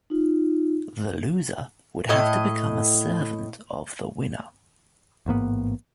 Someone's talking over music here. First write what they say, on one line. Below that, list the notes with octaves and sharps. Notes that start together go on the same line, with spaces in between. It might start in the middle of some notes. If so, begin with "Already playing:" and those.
The loser would have to become a servant of the winner.
D#4 F4
A2 D#5
A1 G#2 A#3 B3